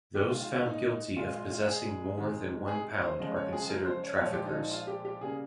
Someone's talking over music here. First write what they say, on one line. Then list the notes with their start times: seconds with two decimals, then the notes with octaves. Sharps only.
Those found guilty of possessing more than one pound are considered traffickers.
0.15 D#3 G#3 G4
0.28 F4
0.40 F4
0.54 F4
0.66 D#4
1.17 A#2 G#3 F4
1.33 F4
1.51 F4
1.67 G#4
2.17 C3 D#3 G#3
2.68 G#4
3.02 C5
3.19 C#3 F3 G#3 D#5
3.36 C#5
3.53 G#4
3.65 G#4
3.69 A#4
3.86 C5
4.03 C#5
4.20 A#2 F3 G#3 C#5
4.33 G4
4.45 D#4
4.59 D#4
4.71 F4
4.87 G4
5.05 G4
5.21 C#3 G3 A#3 G#4